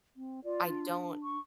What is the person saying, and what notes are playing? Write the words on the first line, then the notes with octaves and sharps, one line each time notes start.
I don't
C4
F4 D5
D4
C#6